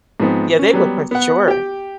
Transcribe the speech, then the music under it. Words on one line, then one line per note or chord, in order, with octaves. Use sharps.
Yeah. They would, for sure.
G#2 F3 B3 C4
C#4
F#3 G3 B3
B3 F#5
G4 G5